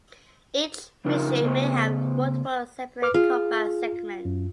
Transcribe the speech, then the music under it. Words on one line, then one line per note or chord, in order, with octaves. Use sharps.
Each mission may have multiple separate combat segments.
F2 C#3 D#4 F4 A#4
C#3 A3 B3 C5
B4 D6 F6
F4 G#4
F#2